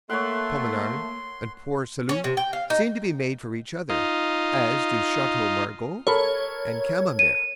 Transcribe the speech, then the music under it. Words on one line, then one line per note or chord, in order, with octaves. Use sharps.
Pommard and Port-Salut seem to be made for each other, as do Chateau Margaux and Camembert.
A3 A#3 C#5 F#5 C6
C#4
C3
G5
F5
D#4
D#4 F4
A4 A#4 C#5 B5
D#7